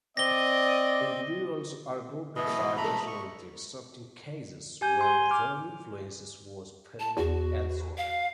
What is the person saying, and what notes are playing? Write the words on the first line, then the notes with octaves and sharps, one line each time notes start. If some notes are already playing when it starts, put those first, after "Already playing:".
Individuals are grouped by nationality, except in cases where their influence was felt elsewhere.
C4 D5 D#5 A#6 G7
B2 E3 D#5
A3 A#5 B5
C#6
G4 G#5 G6
G#5 C6
D6 F6
A5
E2 F#4
F5